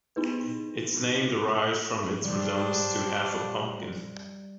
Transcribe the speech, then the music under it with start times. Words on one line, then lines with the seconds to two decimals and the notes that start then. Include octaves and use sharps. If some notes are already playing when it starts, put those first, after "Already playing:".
Its name derives from its resemblance to half a pumpkin.
0.16 B3 D#4 E4 G#4 B4
2.24 G3 D4 G4 C5